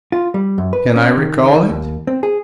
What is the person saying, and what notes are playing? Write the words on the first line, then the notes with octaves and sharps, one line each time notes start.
Can I recall it?
F4
G3
F#2
B4
C#4
D#3
D#2
C4
G#4